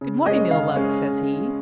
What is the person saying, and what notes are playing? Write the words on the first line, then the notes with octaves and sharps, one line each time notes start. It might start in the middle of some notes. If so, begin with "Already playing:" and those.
"Good-morning, Ill-Luck," says he.
C#3
G#3 C#4 D#5
C#3 F5
G#3 C#4